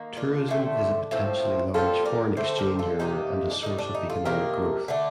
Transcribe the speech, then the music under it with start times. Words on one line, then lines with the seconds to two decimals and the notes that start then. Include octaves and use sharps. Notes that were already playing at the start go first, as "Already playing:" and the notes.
Tourism is a potentially large foreign exchange earner and a source of economic growth.
Already playing: D#3 A#3
0.17 D4 F4
0.48 D3 A3 C4
1.11 A2 F3 C4
1.74 A#2 G3 C4 F4 A4
2.05 A#4 D5
2.37 D3 A3 C4 A4 C5
2.58 G4 A#4
2.79 F4 A4
2.99 C3 D#3 G3 A#3 D#4 G4
3.51 D4
3.62 A2 G3 D4 D#4
3.78 D4
3.95 D#4
4.09 F4 A4
4.25 C3 D#3 A#3 D4 G4 A#4
4.88 D3 A3 D4